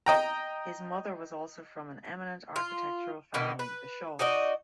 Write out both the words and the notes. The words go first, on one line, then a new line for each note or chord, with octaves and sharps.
His mother was also from an eminent architectural family, the Shaws.
D#5 G5 A#5
F4
B2 D#3 E3 B3
B4
D#4 F#4 D5 D#5